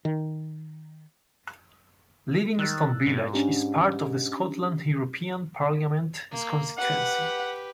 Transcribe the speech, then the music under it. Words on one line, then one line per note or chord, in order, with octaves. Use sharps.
Livingston Village is part of the Scotland European Parliament constituency.
D#3
D#3 E6 F#6 A6
G#2
C#4 D4 G4
A#3
G4 B4 F#5